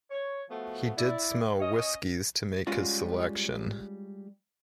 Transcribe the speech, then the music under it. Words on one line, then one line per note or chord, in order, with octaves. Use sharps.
He did smell whiskies to make his selection.
C#5
F3 A3 B3 F#4
E4 D5
C#4 C#5 D#5
G3 G#3 C#4 F4 F#4